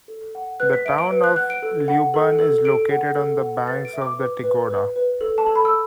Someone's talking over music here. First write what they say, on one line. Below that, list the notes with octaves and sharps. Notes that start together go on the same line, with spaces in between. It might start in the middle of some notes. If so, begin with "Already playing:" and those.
The town of Lyuban is located on the banks of the Tigoda.
A4
F#5
B4 F#6
B6
E5 D7
D7
B4
F#6
F#5 F#6
D7
A4
F#5
A4
A4
A4 D7
F#5
A4
F#5
B4 A6
D7
E5
D6
B4
B4
B4
B4
A4
A5
A4
B5
E6